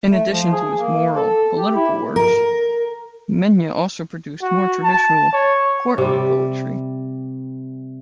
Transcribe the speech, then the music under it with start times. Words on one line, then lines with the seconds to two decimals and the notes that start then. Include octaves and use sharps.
In addition to his moral-political works, Mena also produced more traditional courtly poetry.
0.11 A3
0.30 F3
0.53 G#4
0.77 A#3
1.13 A4
1.58 G4
1.75 E4
2.16 A#4
4.42 F#4
4.84 A5
5.33 C#5
5.98 C3 G3